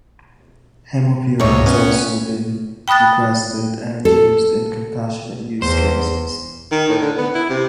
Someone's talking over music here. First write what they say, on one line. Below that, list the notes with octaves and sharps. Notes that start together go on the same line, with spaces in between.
Hemopure has also been requested and used in compassionate use cases.
C#2 G#2 C3 C#5
B3 C#4
G5 B5 D#6 F#6 A6
A4
E2 C5
D#3
A2
D3
B3
E4
C3